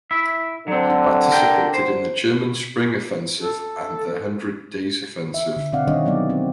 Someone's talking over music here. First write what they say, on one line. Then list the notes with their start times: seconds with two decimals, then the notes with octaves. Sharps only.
He participated in the German spring offensive and the Hundred Days Offensive.
0.11 E4 E5
0.68 D3 F#3 C4
1.32 A#4 D5 G5
1.74 C5
3.40 A4
5.34 E5
5.56 D3
5.72 B2 D3 C4 D5 F5 F#5
5.87 D#3 G3 D4 C#5 D#5
6.05 F#3 B3 D5
6.30 C4